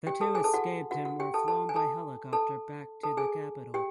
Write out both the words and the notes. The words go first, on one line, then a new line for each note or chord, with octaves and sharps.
The two escaped and were flown by helicopter back to the capital.
G4 G5
A4 A5
G#4 G#5
A4 A5
F#4 F#5
F#4 F#5
F#4 F#5
G4 G5
A4 A5
A4 A5
G#5
A4 A5
A4 A5
A4 A5
G#4 G#5
G4 G5